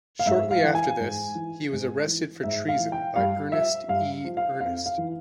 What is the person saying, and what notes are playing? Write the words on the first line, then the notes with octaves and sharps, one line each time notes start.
Shortly after this, he was arrested for treason by Ernest E. Earnest.
F5
G#2 E5
F5
E3
G#5
G#2
E3
G#2
E3
G#2 E5
F5
E3
G5
G2 F5
F3 E5
G2 F5
F3
F5
F2 F5
F5
E3